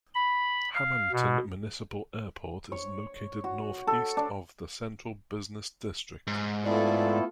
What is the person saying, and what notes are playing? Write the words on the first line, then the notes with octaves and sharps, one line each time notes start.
Hammonton Municipal Airport is located northeast of the central business district.
B5
F5
B2
C#5
F#4
A4
D4
G#2
A3 B3 E4 F4 A4 D5